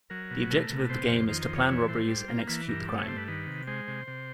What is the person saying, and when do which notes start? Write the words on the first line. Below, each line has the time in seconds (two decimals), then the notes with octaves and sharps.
The objective of the game is to plan robberies and execute the crime.
0.10 F#3 A#4
0.31 B2
0.50 A3 A#4
0.70 B2
0.90 C3 C5
1.09 F2
1.29 D#3 C5
1.42 C5
1.49 F2
1.56 C#5
1.69 E3 C#5
1.88 A2 C5
2.08 G3
2.28 A#3
2.48 E3 B4
2.68 G2 A#4
2.88 A3
2.98 C#5
3.07 G2 C5
3.17 B4
3.28 D#3 B4
3.47 C3
3.67 G#3 C5
3.88 C3
4.07 C3